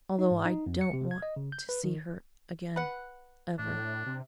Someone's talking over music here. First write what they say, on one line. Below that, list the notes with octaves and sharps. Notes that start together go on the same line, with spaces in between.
Although I don't want to see her again ever--.
D#4
G#2
D#4
F2
C#7
C3
G#6
D#5
C#3
G6
B4
D#3
B4 F#5
A2 D4
C3